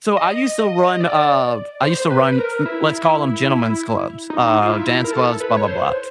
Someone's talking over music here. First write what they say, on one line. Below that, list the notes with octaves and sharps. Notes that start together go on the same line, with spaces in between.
so I used to run, uh, I used to run m let's call 'em gentlemen's clubs, uh, dance clubs, blah, blah, blah.
D#5
D#5
D#5
D5
C5
B4
B4
A#4
E4
D#4
F4
E4
A#4
A4
B4
C#5
C5